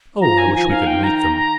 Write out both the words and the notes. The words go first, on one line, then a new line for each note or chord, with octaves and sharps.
"Oh, I wish we could meet them."
F3 A#5
G#5
D#3
F3 G#5
D#3 F5
G5
A#5
A#5
A#5